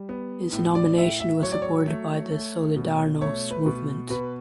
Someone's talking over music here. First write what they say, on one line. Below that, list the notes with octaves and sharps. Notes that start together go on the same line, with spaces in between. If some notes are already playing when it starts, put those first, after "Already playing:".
His nomination was supported by the Solidarnost movement.
Already playing: G3
B3
A2
D5
A2 E5
E5
F#3 C#5
D5
C#5
A3
A3
B2
A3 C#5
B4
B2
B2 B4